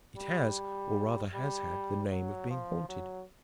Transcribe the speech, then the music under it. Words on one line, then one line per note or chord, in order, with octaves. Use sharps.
It has, or rather has had, the name of being haunted.
G3
G3
F#3
F3
F#3